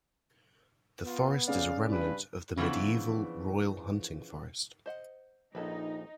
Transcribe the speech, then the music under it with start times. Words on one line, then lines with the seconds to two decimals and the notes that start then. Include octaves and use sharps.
The forest is a remnant of the medieval royal hunting forest.
1.05 B3 F4
1.47 C#3 D5 F5
1.91 G2 B4
2.57 C#3 E3 F3 B3 D4
4.86 C5 D#5 F#5
5.55 A#1 C#4 D#4 A4 B4